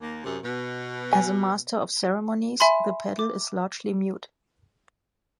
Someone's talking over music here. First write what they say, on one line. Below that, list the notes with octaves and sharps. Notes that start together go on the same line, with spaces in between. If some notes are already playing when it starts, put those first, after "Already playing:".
As a master of ceremonies, the pedel is largely mute.
D#2 A#3
F#2 C3
B2
G#5
E5 G#5 B5 C6
D6